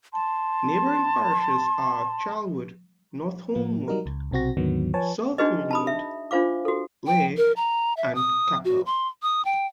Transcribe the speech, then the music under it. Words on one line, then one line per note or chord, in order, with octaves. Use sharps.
Neighbouring parishes are Charlwood, North Holmwood, South Holmwood, Leigh and Capel.
A5 C6
A2 F3 A#3
F#3 G3 D#4 F#4 A#4
C#2
B1 C3 C4 F#4 A#6
D#2 G#2 D3 D#3 F#3 B3
F3 B4 C#5 G#5 A5
D4 D#4 F#4 G#4 B4 D#5
A5 B5 D#6
E5
D4 F4 C5 F5 D6
F#4 A4
G5
A#4
A#5
E5
D#6
F#4
C6
D#6
G5